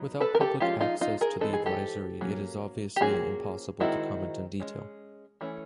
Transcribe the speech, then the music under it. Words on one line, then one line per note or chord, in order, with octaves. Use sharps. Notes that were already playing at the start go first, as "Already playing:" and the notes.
Without public access to the advisory, it is obviously impossible to comment in detail.
Already playing: F#3 B3 D#4
A4 B4
A#4
G4 A4
F3 G#3 C#4 F4 G4
D#4 F4
D#4 F4
G#4 A#4
E3 G#3 C4 D#4 A4
G#4
G4 A4
F#3 A#3 C#4
G4
F3 A#3 C#4 F#4 G#4
D#3 G#3 C4 D#4 E4 F#4
G#3 C#4
E3 A3 C#4